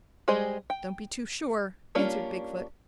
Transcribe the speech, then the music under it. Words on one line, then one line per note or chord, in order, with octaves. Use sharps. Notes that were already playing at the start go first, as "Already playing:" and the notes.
"Don't be too sure," answered Big-foot.
G3 G#3 G#4 C5 D#5
G5
G3 A#3 C#4 D4 F4